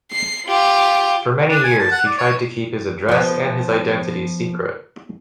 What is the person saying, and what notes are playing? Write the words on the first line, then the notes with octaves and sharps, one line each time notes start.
For many years he tried to keep his address and his identity secret.
C7
F4 G4
D4
G#5
A5
F#5
D5
C#5
F3 B3